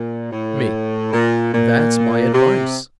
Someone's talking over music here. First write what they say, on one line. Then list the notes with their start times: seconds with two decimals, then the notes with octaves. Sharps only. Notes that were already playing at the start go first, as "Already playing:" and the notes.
ME: That's my advice.
Already playing: A#2
0.32 A2
1.13 A#2
1.54 A#2
2.34 C3